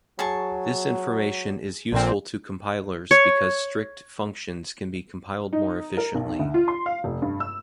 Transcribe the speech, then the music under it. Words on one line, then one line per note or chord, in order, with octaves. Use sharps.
This information is useful to compilers because strict functions can be compiled more efficiently.
F#3 G#4 A5 C#6
A#1 A#2 D3 C4
C#5
D#4
A#4
B1
D2
F4
C6
F5
F1
G2
E6